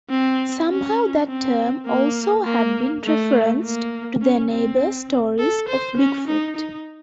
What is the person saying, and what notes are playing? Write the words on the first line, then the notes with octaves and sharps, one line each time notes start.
Somehow that term also had been referenced to their neighbors' stories of bigfoot.
C4
C#4
C4
A#3
A#3
A3
A#3
C#4
C4
A4
C5
C#4
D#4
D#4